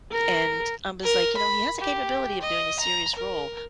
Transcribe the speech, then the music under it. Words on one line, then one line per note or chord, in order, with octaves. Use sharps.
and I was, like, "You know, he has the capability of doing a serious role."
A#4
A#4
B5
G4
D#5
A#5
A#4